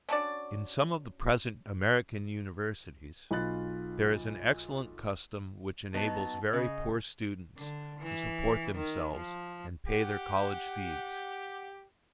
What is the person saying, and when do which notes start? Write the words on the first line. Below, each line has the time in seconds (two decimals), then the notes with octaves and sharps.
In some of the present American universities there is an excellent custom which enables very poor students to support themselves and pay their college fees.
0.09 C#4 D4 F#4 D5
3.31 B1 F4 B5 F#6 A6
5.95 F#3 B3 D#4 A5
6.53 C#3 D#5
7.57 D3
7.99 E3
8.75 D#3
9.15 F3
9.87 G4 F#5